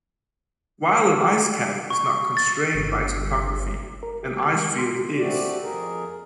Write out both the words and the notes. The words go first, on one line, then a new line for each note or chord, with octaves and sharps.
While an ice cap is not constrained by topography, an ice field is.
C#6
A6
G1
A#4
G4
G#3
C6
A3 C4 F#4 G4 D5
F2 G#4 A#4